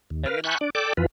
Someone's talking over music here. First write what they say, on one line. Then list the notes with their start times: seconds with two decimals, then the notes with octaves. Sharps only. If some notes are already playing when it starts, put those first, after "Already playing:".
and then, uh
0.10 D#2
0.26 A#4 B4 F5
0.44 G#5 A5 B5 C#6 F#6 G6
0.61 D4 D5
0.75 A4 D5 G5 A5 D6
0.97 F2 E3 F4 B4